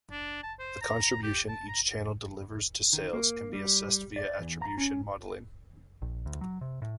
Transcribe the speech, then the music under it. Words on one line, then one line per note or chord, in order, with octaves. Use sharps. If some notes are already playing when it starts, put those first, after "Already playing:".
The contribution each channel delivers to sales can be assessed via attribution modelling.
D4
A5
C5
A#5
G4
A5
A#5
D#3
A#3
G3
D5
E2
A#5
C#4
A#1
D2
F#3
C3
A2